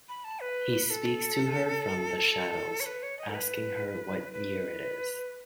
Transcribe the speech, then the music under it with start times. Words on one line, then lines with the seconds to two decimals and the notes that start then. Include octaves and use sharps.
He speaks to her from the shadows, asking her what year it is.
0.09 B5
0.24 A5
0.41 B4
0.90 A4
2.80 C#5
2.86 B4
3.03 C#5
3.18 D#5
3.29 A4
3.34 B4
4.33 B4